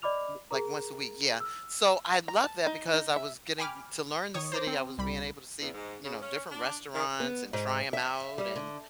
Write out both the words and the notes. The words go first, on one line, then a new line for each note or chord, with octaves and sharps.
L like once a week, yeah. So I love that because I was getting m to learn the city, I was being able to see, you know, different restaurants and try 'em out and
D5 D#5 B5 D6 F6 F7
G#4 A#4 A#5
E6 F6
A#5
A5
D#4
D#4
E5
G5 G#5 B5 D6 F6
D#3 C#5 C#6 D#6
C5 A#5 D6
C4
C2 G3 B5
E2
G#2
C#3
C#4
D4
D#3
B3
G#2
E5
G3
D3